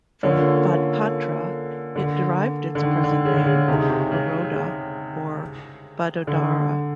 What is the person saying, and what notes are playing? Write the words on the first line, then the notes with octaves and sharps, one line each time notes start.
From Vadpatra it derived its present name Baroda or Vadodara.
D3 A#3 C#4 F4 A4 C#5
D3
D3
D#3
D3
C#3
D3
C#3
C3 C4 D#4 G#4
C#3
C3
C#3
C#3
D3